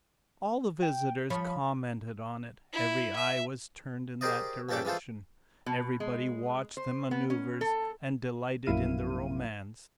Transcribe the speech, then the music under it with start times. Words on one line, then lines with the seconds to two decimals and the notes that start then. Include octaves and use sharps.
All the visitors commented on it, every eye was turned in that direction, everybody watched the manoeuvres and delighted in the romance.
0.82 G5
1.30 F3 C#5 B5
2.73 E4
3.16 E5
4.21 G4 G#4 A#4 C5 D5 D#5
4.69 A#1 G2 C#4 A4 G5 D6
4.85 E3 G#3 F4 A4 C5
5.66 B2
6.00 G#3
6.77 C5
7.11 B3
7.30 C#4
7.61 A4
8.66 A#1 F#2 A#3 E4 F5 D#7